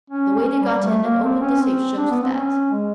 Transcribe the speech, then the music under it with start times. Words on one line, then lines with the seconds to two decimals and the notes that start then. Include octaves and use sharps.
The way they got in and opened the safe shows that.
0.10 C#4
0.36 C#4
0.60 G3
0.85 A3
1.04 A#3
1.23 C4
1.41 C#4
1.59 C4
1.97 D4
2.11 B3
2.23 C4
2.34 C#4
2.71 G#3